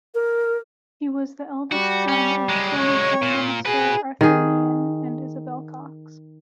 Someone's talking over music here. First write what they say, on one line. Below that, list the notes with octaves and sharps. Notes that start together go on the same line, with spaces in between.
He was the eldest son of former Prime Minister Arthur Meighen and Isabel Cox.
A#4
G3 F#4
C#4
F#3 G#3
C#5
A#2
F#4 G#4 B4
D#3 G#4